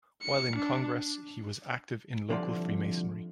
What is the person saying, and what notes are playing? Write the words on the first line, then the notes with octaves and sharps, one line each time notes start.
While in Congress, he was active in local Freemasonry.
C#7
D4
C2 D3 F3 D5